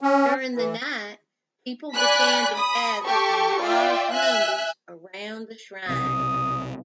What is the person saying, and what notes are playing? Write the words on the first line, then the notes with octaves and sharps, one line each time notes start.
During the night, people began to gather in large numbers around the shrine.
C#4
E3
D5 G#5 B5 F#6 B6
B5 D#6
G4 A4 C#6
F4 D5 E5 G5
E5 G#5 F#6
B1 C3 D#6